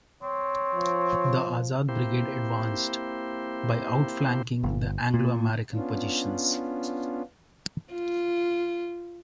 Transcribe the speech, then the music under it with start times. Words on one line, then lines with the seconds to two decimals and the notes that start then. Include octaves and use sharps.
The Azad Brigade advanced, by outflanking the Anglo-American positions.
0.23 C4 C#5
0.75 F3
1.89 A#3 C4 E4 G4 C5
4.63 G1
5.14 A#2
5.74 B3 C#4 D4 F4
7.93 F4